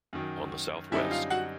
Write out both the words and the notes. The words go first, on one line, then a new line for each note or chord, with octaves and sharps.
On the Southwest.
F#2 D#3 F#3
F#2 D3 G3 C4 D#4 E4 E5
F4 F5
F#4 F#5